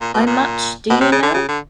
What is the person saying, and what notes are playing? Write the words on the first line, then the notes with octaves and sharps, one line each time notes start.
How much do you know?
A#2
B2
A#2
B2
C3
C#3
D3
C#3
D3